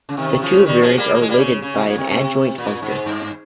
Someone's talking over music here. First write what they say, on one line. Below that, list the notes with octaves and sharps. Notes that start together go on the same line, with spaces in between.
The two variants are related by an adjoint functor.
C#3
C3 D#3
C#3 F3
D#3 G3
F3 G#3
G3 A#3
A#3
G#3
G3 A#3
C#3
C#3
C3
A#2
C3
C3
A#2
G#2
G2